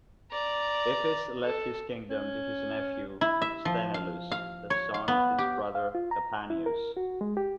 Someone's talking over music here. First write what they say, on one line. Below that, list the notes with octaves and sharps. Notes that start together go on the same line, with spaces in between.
Iphis left his kingdom to his nephew Sthenelus, the son of his brother Capaneus.
D5 A#5
A4
C#4
E4
E5
F3
F5
F5
C#5
F5
B3
G4
F5
F4
A#5
E4
A#4
F#4
G#3
G4